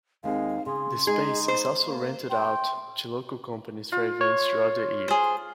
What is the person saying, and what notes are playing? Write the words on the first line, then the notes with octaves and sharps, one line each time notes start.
The space is also rented out to local companies for events throughout the year.
D#2 G#3 C4 F5
C#3 G#4 C6
G#3 D#4 G#4
C5
A#3
G5 C6
F4
C#5
G#4 C5